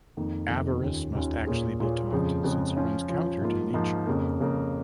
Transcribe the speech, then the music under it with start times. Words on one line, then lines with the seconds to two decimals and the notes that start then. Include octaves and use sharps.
Avarice must actually be taught since it runs counter to nature.
0.17 F2 D#3 A#3 D#4
0.49 F2 D#3 A#3 D#4
0.81 D#2 D#3 C#4 F4
1.15 D#2 D#3 C#4 F4
1.47 A#2 A#3 F4 G#4 C#5
1.80 A#2 A#3 F4 G#4 C#5
2.12 F2 C#3 F3 G#3
2.44 F2 C#3 F3 G#3
2.77 F3 C#4 F4
3.09 F3 C#4 F4
3.41 G#2 F3 A#3 F4
3.74 G#2 F3 A#3 F4
4.07 F2 C#3 A#3
4.40 F2 C#3 A#3